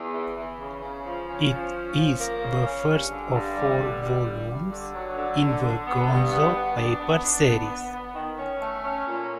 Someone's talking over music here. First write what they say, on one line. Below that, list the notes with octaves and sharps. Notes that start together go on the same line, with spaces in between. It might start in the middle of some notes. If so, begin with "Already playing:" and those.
It is the first of four volumes in "The Gonzo Papers" series.
Already playing: E2
E3
E3
C#3
C#3
F3
C#4
F3
C#4
F3
A#3
C#3
C#4
G2
D3
G2
G3
D3
G3
G2
G2
D3
F#3
D3
D3
D3
B3
G2
B3
B3
D4
B3
D4
B3
B3
B3
D#3
C#4
A3
C#4
A#2